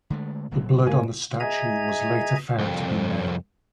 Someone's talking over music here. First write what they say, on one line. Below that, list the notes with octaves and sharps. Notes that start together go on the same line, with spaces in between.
The blood on the statue was later found to be male.
D3 G#3 A3
D1 A#2 F#3
G#2 A#3 G#5
G#4 D#5 E5 G#5 A#5 G#6
C2 F2